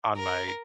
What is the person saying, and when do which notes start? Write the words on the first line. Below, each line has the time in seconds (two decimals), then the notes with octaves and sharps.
on my
0.16 A#4